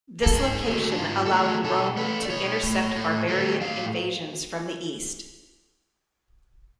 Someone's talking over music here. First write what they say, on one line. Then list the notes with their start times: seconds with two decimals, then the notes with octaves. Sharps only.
This location allowing Rome to intercept barbarian invasions from the East.
0.23 A4
0.33 G#2 G#4
0.66 F#3 A3
0.92 D4
0.98 G#2 F4
1.25 A4
1.31 F#3 A3 G#4
1.64 B2 A4
1.97 A3 B4
2.25 D5
2.30 B2 C#5
2.63 A3
2.96 A2
3.28 F#3 A3
3.61 A2 F5